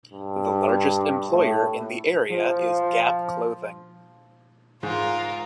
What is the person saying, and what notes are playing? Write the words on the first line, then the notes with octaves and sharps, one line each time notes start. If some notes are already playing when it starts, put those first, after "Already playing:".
The largest employer in the area is Gap Clothing.
G2
A2
F3
G#2 F4 A#4